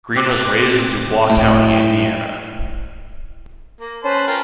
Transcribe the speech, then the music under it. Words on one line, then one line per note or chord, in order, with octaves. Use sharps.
Greene was raised in Dubois County, Indiana.
C4 D6 F#6
A2 G5
A#3
C#4 B4 C5 A5
F4 A#4 G5